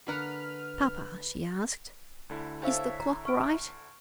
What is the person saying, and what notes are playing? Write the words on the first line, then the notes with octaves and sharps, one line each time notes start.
"Papa," she asked, "is the clock right?"
D3 A#3 A#4 B4 F#5 F6
D2 D3 E4
D4 A4 C5 C#5 E5 F5
A#5
C#6 F6 D7